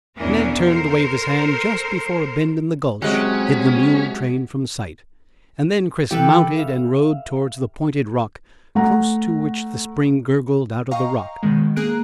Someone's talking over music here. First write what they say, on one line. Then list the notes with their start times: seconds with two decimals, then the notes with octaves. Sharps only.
Ned turned to wave his hand just before a bend in the gulch hid the mule-train from sight, and then Chris mounted and rode towards the pointed rock close to which the spring gurgled out of the rock.
0.17 E2 B2 E3 C#4 D4 A#4
0.64 A4 A#4 C5
3.02 C3 F#3 G#3 C#4
6.11 E3 G4 A4 B4 G5
6.56 E5 F5
8.75 A3 F#5 A#5
10.91 D#5 F5 G5 A#5 C#6
11.43 B2 D#3 G#3
11.76 A#3 G#4 A#5 F#6 D7